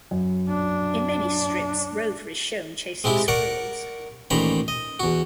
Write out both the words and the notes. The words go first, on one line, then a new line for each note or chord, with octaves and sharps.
In many strips Rover is shown chasing squirrels.
F#2
D4
G#3 C4 E4 G4
A#4 D5 F#5 C#6
A1 A#2 D#3 C5 A#5 B5
D#5
E2 F#4